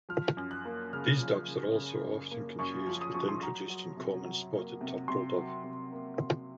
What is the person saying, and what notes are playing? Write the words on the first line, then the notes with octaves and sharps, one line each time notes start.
These doves are also often confused with the introduced and common spotted turtle dove.
F3 F6
F#2
F#6
A#3
C#3 F6
F3
C#3
C#3
F#2
A#3
F#2 C#6
F3
D#6
F3 C#6
C6
F#3 A#5
F#3
C3
F#3
A#3
C3
C3 C6
F#3
C3
A#3
C3